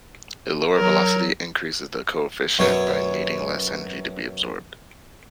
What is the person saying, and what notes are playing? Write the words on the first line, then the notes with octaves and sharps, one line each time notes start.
A lower velocity increases the coefficient by needing less energy to be absorbed.
F#3 A#4
F#2 B2 F#3 C#4